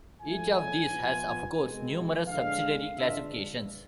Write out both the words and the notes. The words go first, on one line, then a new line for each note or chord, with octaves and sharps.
Each of these has of course numerous subsidiary classifications.
F3 A3 E4 G#5
F3 B3 F4
B2 G#3 C4
D3 G#3 D4 F5
D3 G#3 D4 F4 E5